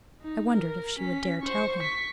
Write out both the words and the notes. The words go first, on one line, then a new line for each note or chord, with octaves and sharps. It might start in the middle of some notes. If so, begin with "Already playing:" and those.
I wondered if she would dare tell him.
D#4
A#4
C#4 B6
C5 C#6
C#6 B6